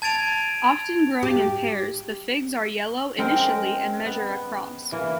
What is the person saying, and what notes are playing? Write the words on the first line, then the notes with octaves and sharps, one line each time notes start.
Often growing in pairs, the figs are yellow initially and measure across.
A5 G#6 A6 D7 F7
G4
G#3 C4 C#4 A#4 G5
B3
E3 A#3